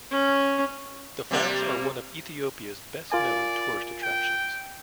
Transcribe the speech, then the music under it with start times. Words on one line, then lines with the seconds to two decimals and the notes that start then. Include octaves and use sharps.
The falls are one of Ethiopia's best known tourist attractions.
0.10 C#4
1.31 C3 G3 A#3
3.12 F4 A#4 D5 G#5
4.03 G5